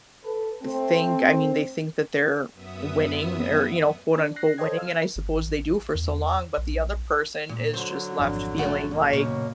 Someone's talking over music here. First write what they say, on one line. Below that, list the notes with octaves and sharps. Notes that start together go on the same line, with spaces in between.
think, I mean, they think that they're winning or, you know, quote, unquote, "winning," and I suppose they do for so long, but the other person is just left feeling like
A4 B4
A3 C4
F#2 B3 E5 D#6
D4 D5
F#6 A#6 C7
A4 C5 C#5 D#5 G5 G#6
F5 E6 F6
G1
A1
E2
A#1
A#2
D3 F#3 C5
G#1 F2 D4
D2 A3 F#4
F#2 B2 A#3
F#2 A#2 C#3 C#5